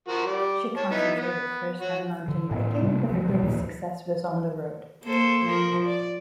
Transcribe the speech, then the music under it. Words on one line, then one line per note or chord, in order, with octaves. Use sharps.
She concentrated first on mountain biking but her greatest success was on the road.
F3 F#4 A#4
G3 D5
C#5 A5
B3 D#4 E4
B3
F#4 C#5
D3
A2 B3
C3 G3 D4
D2 F3
B2 F#3 G3
D#2 A#2 F3
A#3 A4 C5
F3 A#4
D5